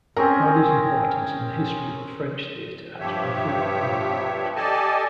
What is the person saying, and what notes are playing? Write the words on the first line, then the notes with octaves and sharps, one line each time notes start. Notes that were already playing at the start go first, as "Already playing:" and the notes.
Hardy's importance in the history of the French theatre has been frequently overlooked.
C4 C#4 G#4 A#4
G2 F3 G4 C#5 E5
G4 A4 D5 D#5 G#5 A5